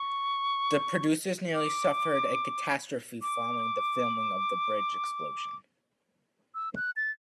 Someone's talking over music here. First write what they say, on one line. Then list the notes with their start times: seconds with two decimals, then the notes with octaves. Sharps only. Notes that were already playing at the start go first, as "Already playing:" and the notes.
The producers nearly suffered a catastrophe following the filming of the bridge explosion.
Already playing: C#6
1.54 D6
3.22 D6
6.55 E6
6.76 F#6
6.96 A6